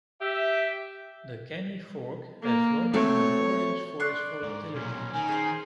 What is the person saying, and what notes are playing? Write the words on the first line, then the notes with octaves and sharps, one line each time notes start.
The Caney Fork has long been notorious for its volatility.
G4 E5
A#3
A3 C4 F#4 C#5
D5 C6 C#6 F#6
G#2
B1 A#2 C#4
D#3 G#5
C#4 G#4 C5